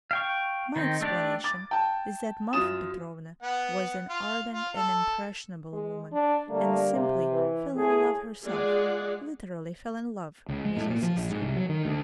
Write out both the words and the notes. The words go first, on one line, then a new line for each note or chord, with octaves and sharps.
My explanation is that Marfa Petrovna was an ardent and impressionable woman and simply fell in love herself--literally fell in love--with your sister.
F5 G5 C#6
D#3 C4 D#4
A3 D4 G4 D5
D6 A6
G5 A5
F#2 F#3 F4 D#6 E7
B3 F#5
F4
F4
A4
G#3
D4
D3 G3 A3 A#3
C3
E3
A2 G#4
G#3 F4 G#4 D5 F#5
C#2
G#3
A2
A#2
F3
A#1
G#2
C2
F#3
D#3
D2